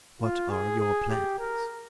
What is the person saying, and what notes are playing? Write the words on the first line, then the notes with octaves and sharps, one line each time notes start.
What are your plans?
F4
G#4
G#4
G4
A#4